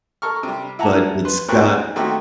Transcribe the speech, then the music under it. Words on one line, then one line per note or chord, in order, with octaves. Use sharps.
but it's got
A4 A#4 C#6 F6
C3 G3
E4 F#5 A5 A#5
B4 C6
D2 B3 C4 A#4 C#6 F#6
D#3 A3 A#3 C4 F#4 G4